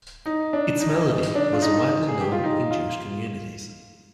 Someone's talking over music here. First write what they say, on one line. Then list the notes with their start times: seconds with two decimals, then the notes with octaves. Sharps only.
Its melody was widely known in Jewish communities.
0.26 D#4
0.53 D4
0.81 D#4
1.35 D4
1.53 F4
1.62 D#4
2.08 G#4
2.20 G4
2.32 F4
2.44 D#4
2.71 F4